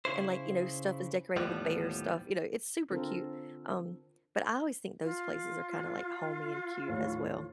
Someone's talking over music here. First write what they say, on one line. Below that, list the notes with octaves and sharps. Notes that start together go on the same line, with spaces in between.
and like, you know, stuff is decorated with bear stuff, you know, it's super cute, um, but I always think those places are kind of, like, homey and cute as well.
C#3 E4 C5
D#2 A2 F3 G3 B3
D3 C4 F4 A4 A#4 C5
F4
D#2 A2 F3